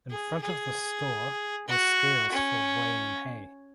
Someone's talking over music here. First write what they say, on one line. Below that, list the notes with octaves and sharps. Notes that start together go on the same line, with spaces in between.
In front of the store were scales for weighing hay.
G#4
G#4
F#4
C#4